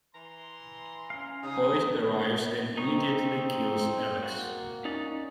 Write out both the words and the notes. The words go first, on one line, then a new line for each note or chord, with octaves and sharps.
Hoyt arrives and immediately kills Alex.
E3 A#5 C6
C#4 F5
C#3 D#4 D#6
C4 D#4 C#6
A#3 F#4
C#4 D#4 D5